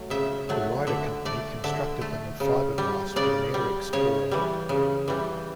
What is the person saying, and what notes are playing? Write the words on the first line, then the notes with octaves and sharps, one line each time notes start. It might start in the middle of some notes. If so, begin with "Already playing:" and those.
The Ryder company constructed them of fiberglass with an Airex core.
Already playing: F#3 A3
C#3 E5
F#3 A3
D3 E5
A3 D5
D3 E5
A3
C#3
G3
C#3 D5
G3
C#3 C#5
E3 G3
C#3
E3 G3